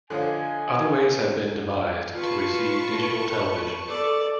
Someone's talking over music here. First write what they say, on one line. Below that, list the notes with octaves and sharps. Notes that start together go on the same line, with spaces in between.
Other ways have been devised to receive digital television.
D3 F3 A4 C#5 D#5 F5 G#5
F4 B4 A5 C#6
A4 D5